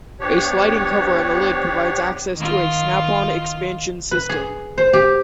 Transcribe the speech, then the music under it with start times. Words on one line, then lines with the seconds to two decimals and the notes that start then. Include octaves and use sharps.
A sliding cover on the lid provides access to a "snap on" expansion system.
0.20 F3 B3 D4 G4 C#5
2.35 D#3 F4
4.11 B4
4.29 G#4
4.78 C5
4.93 G4